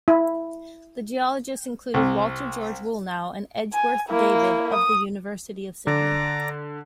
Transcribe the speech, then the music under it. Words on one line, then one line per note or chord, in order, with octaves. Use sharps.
The geologists included Walter George Woolnough and Edgeworth David of the University of Sydney.
E4
C2
G#5
A#3 E4
D#6
D3 D5 A#5 D6